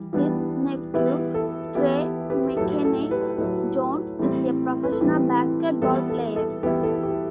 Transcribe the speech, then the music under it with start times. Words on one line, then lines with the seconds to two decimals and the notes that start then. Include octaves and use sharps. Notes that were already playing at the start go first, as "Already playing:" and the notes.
His nephew, Trey McKinney-Jones, is a professional basketball player.
Already playing: E3 G3
0.13 E3 G3 B3 D4
0.94 E3 B3 E4 G4 B4
1.34 A4
1.75 E3 B3 E4 G4
2.30 G4 B4
2.57 A2 F#3 A3 A4
2.84 A4
3.11 G4 B4
3.38 A2 F#3 A3
4.19 A2 E3 G3 C4
4.84 B4
4.92 A4
5.01 A2 E3 G3 C4 G4
5.82 E3 G3 B3 E4 A4
6.09 A4
6.36 A4
6.63 E3 G3 B3 E4 G4 B4
6.83 A4
7.03 G4